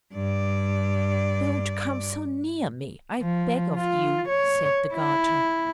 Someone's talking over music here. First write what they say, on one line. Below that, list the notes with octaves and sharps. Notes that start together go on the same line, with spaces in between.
"Don't come so near me, I beg of you!" said the garter.
G2 D5
F3
F4
C#5
E4